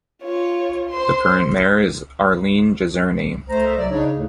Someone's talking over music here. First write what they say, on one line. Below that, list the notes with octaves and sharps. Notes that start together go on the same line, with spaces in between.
The current mayor is Arlene Jezierny.
F4 C#5
C5 C6
A3 C5 A#5
A#4 D#5 E5
C2 C3 F#3 D5
C#3 D4 D#4 C#5
D2 A2